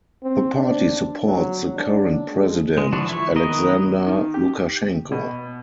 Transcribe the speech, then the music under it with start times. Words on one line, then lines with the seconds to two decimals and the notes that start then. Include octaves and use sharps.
The party supports the current president Alexander Lukashenko.
0.23 C4
0.55 D4
1.25 F#3
1.76 D4
2.32 G#3
2.78 G#3
2.92 D3 E3 F3 D4 F#4
3.09 E4 C#6
3.36 D#3 B3 A#4 D#5
4.07 D#3
4.34 G4
5.12 B2